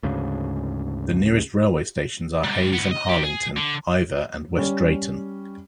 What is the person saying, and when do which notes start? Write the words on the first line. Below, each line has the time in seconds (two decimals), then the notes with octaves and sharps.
The nearest railway stations are Hayes and Harlington, Iver and West Drayton.
0.03 D2 G#2 C#3
2.44 C#2 G3
2.73 C#2 B3
2.91 D#5
3.09 D#3 G4
3.24 G#4
3.57 D3
4.57 G3 C#4